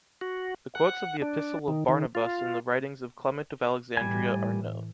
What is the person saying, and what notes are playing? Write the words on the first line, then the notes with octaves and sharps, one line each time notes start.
The quotes of the Epistle of Barnabas in the writings of Clement of Alexandria are known.
F#4
F#5
D4
D#3
D#3
F4
A2 E3 G3 G#5